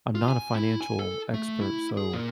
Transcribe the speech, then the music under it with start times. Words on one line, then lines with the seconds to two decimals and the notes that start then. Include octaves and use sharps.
I'm not a financial expert, so
0.15 F4
0.28 G#5
0.55 E4
0.81 G#5
0.99 A4
1.34 A3
1.61 E4
1.97 G#4
2.13 A#2